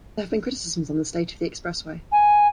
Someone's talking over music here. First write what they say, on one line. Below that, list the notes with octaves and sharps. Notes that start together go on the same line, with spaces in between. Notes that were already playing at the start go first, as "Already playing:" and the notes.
There have been criticisms on the state of the expressway.
G#5